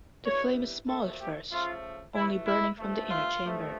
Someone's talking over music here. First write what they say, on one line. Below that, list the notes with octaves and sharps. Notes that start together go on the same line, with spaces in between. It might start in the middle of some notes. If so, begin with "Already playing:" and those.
The flame is small at first, only burning from the inner chamber.
G2 E3 G3 C#5
A#2 F3 A3 A4
G4
C#3 F3 A3 F4
A2 E3 A3 E4
E4
G2 F3 A3
F4
G2 F3 A3